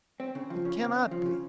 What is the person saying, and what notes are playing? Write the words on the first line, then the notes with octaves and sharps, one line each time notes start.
It cannot be.
C4
C#3
F3
C#3
C4
C#3
F3
C#3